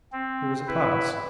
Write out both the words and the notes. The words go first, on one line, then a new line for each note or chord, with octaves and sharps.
There was a pause.
C4
E4 B4